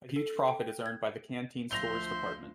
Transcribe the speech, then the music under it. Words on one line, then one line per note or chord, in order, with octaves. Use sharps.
A huge profit is earned by the Canteen Stores Department.
A4
G5
G#6
D2 F3 C5 E5 C6 A#6 F7 G7